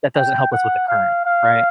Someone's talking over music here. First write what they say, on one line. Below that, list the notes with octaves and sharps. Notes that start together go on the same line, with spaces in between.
that doesn't help us with the current, right?
G5
F#5
F5
F5